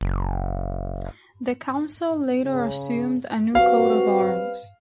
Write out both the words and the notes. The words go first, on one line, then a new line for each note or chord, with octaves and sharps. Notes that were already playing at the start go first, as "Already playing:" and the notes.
The council later assumed a new coat of arms.
F#1
C#3
G3 C4 F#4 B4 F5